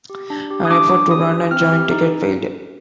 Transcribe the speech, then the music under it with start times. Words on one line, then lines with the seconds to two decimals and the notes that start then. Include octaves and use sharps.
An effort to run a joint ticket failed.
0.10 G4
0.30 D4
0.50 G4
0.65 D#6
0.71 D4 D6
0.91 D4
1.11 G4 D#6
1.31 D4
1.51 C4 F6
1.72 G4
1.91 D#4